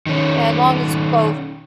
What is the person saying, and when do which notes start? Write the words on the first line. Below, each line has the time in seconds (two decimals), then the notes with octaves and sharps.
Yeah, as long as both
0.07 D#3 C#4